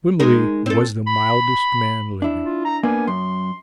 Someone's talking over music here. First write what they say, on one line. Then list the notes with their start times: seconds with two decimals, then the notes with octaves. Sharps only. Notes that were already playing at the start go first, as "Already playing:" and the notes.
Wimley was the mildest man living.
0.20 G#3 D#4 A#4
0.66 C4 A4
1.07 B5
2.22 D4 E4
2.45 F4
2.65 A#5
2.83 A#3 B3 D4 G#5
3.07 F#2 C6